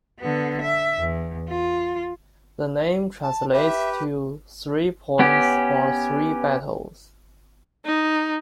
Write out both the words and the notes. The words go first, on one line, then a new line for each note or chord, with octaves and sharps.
The name translates to "three points" or "three battles".
D3 B3
E5
E2
F4
A5
G4 B4 E5
B3 C#4 G4
D#4